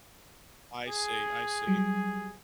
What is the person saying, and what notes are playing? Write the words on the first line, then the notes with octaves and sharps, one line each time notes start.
I see I see.
G#4
F#3 G3